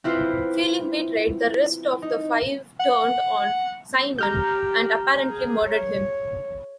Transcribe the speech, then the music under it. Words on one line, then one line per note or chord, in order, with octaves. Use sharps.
Feeling betrayed, the rest of the Five turned on Psimon and apparently murdered him.
C4 E4 F4 B4 C5
D#4
F#5
G4 A#5 F6 G6
G#4
C#5